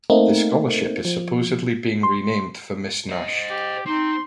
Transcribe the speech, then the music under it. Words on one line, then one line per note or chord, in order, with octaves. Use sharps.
The scholarship is supposedly being renamed for Miss Nash.
A3 A#3 C4 D#4
F3
C6
C5 D#5
G4
C4 D#4 C6